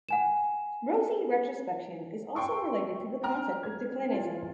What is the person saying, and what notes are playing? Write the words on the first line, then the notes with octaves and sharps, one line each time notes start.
Rosy retrospection is also related to the concept of declinism.
F#5 G#5 E7
G5 C6 C#6 E6
G5 A#5 F6
G#6
F4